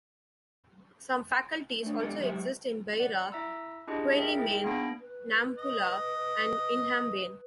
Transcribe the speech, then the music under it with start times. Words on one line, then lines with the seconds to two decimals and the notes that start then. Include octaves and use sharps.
Some faculties also exist in Beira, Quelimane, Nampula and Inhambane.
1.83 A3 D4
1.99 G#3 A#3 B3 D4 G4 A4
2.20 F#3 G#3 G4 C5 D#5 E5
3.00 D5 F#5
3.32 E4 E5 A#5 E6
3.87 D4 E4 F4 G4 G#4 D#5
4.17 G#4 A#4 E5 G5
4.37 D#4 E4 G#4 G5
4.64 A#3 B3 D4 B5 A#6 D7
5.01 B4
5.58 D#5